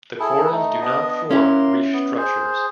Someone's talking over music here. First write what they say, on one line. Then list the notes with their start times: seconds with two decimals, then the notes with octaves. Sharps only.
The corals do not form reef structures.
0.20 E4 G#4 A4
0.52 A3 D#4
0.81 B3 D4 D#5
1.31 A#3 C#4 E4 C6
1.93 B3
2.18 G#4 C5